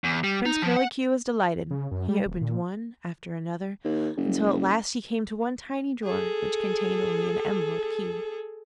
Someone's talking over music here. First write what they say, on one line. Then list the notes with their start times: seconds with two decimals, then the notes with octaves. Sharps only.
Prince Curlicue was delighted; he opened one after another, until at last he came to one tiny drawer which contained only an emerald key.
0.04 E2
0.24 G3
0.46 D#4
0.62 F3
0.76 F#5
1.71 C#3
1.91 F#2
2.09 G3
2.26 D#1
2.42 A#2
3.84 D#2
4.17 F#1
6.04 G#4 A4